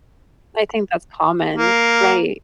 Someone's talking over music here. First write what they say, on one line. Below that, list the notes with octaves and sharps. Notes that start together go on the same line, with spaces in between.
I think that's common, right.
A#3